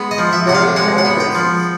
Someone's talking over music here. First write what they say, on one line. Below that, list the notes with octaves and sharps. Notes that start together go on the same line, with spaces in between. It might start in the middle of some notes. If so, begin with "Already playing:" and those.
Uniting All Races.
Already playing: G#3 B3
D#5
F3
E5
C3 F#5
F5
G#3 F#5
F#5
B3
G5
F3